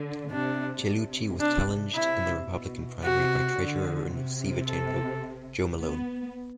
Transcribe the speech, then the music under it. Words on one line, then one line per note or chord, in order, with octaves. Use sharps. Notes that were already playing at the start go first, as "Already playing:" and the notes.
Cellucci was challenged in the Republican primary by Treasurer and Receiver-General Joe Malone.
Already playing: D3
C3 D4
C3
D4
C3 E4
B2
C3 F#4
D3
C3
A4
B3